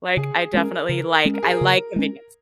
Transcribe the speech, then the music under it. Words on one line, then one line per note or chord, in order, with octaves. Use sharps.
Like I definitely like, I like convenience.
C#3 G#4
G#3 C#4 A#4
C#3 A#4
G#3 C#4
A#4
G#4
A#4
C#3
G#3 C#4